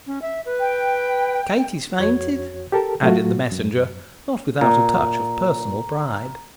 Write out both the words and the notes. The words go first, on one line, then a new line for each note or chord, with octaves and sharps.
"Katie's fainted," added the Messenger, not without a touch of personal pride.
C#4
E5
B4
G5
F2 F#4 C#5 G#6
G4 A4 A#4 A5
A2 F#3 A3 F4 F#4
F#2
A#2 A#5